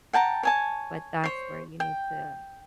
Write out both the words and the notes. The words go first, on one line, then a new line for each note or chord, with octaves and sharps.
but that's where you need to
F#5 G5 A5 A#5
C#5 G#5 A5
C5 C#5
G5